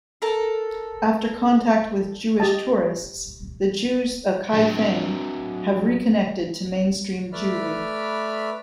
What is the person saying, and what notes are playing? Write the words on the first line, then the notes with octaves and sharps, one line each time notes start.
After contact with Jewish tourists, the Jews of Kaifeng have reconnected to mainstream Jewry.
A4 A#4 A5 A#5
G4 D#5 A5
F#3 D4
A3 B4 D5 E5 B5 F6